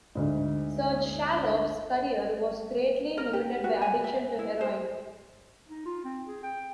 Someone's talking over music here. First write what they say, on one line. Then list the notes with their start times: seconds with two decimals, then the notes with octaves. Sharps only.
Serge Chaloff's career was greatly limited by addiction to heroin.
0.15 D2 G#2
3.17 A#4
3.33 G4
3.64 F#4
3.82 G#5
4.04 E5
4.39 E4
4.61 C5
5.68 D#4
5.86 F4
6.04 C4
6.27 G#4
6.43 G5